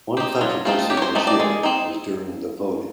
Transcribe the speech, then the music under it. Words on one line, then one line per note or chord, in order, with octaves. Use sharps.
One controversy this year was during the voting.
C4 D#4 G4
F#3 F4
A3 C4 D#4 F4
F#3 G4
C#5
C5
A3 C4 D#4
D5
G#3
C4 D#4